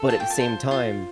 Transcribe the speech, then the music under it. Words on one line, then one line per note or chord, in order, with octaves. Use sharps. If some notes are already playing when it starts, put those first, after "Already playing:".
but at the same time,
Already playing: A4
F4 A5
G5
A5
C5
F4